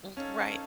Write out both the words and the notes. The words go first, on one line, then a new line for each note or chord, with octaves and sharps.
M Right.
C#4 D#4 A4 C#5 F5 A5